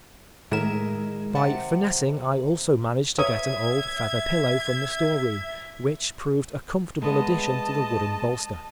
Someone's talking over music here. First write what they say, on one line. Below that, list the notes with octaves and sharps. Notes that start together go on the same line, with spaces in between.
By finessing I also managed to get an old feather pillow from the store-room, which proved a comfortable addition to the wooden bolster.
A2 D#3 G#3 A#4 E5 E7
C3 F#5 A5
C#5 E5 D#6 G#6 D#7
G#3 A3 B3 D#5 A5